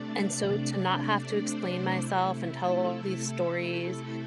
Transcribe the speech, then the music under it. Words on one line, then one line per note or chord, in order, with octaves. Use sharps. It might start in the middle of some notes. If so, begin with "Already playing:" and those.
and so to not have to explain myself and tell all these stories
Already playing: C3 A3 D4 D5
C5
C3 A3 E4
A4